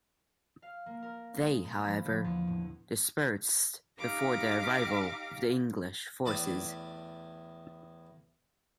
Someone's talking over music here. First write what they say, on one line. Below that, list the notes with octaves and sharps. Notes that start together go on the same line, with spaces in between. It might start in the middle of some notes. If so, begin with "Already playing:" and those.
They, however, dispersed before the arrival of the English forces.
F5
A#3
A#4
G#3
B5
F3
D3
E2
A2
D#4 G4 F5 D6 A#6
E2 A2 B4 D5 A5 D6